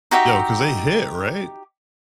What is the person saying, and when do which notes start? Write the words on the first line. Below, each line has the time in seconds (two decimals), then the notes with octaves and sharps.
Yo, 'cause they hit, right?
0.11 D#4 F#4 G4 E5